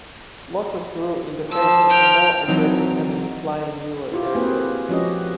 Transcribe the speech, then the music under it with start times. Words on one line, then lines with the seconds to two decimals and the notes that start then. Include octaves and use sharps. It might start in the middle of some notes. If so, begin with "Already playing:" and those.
Losses grew in the face of a more aggressive enemy flying newer aircraft.
1.51 F3 E6
1.90 G5 F6
2.48 E3 F#3 C4 D#4
4.12 E4 F4 G4
4.35 A#3 C4 F#4 G#4 B4
4.89 F3 G#3 C#4 F#4 G4 D#5